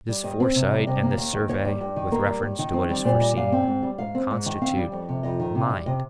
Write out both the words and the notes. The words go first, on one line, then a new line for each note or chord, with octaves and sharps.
This foresight and this survey with reference to what is foreseen constitute mind.
G3
G2 D#5
C4
C3
G3
C3 D#5
A#3
D#2
D#3
D#2 C#5
G3
G2
D#3
A#3 A#4
G3
D#2
D#3
C4
G3
A#2 C5
G3 D#5
A#2 F5
C4
G#2
G3
G#2 F5
C4
G#2
D#3
C4 F5
G3
F2
C3
F2 D#5
D#3
C3
G3
C3 D#5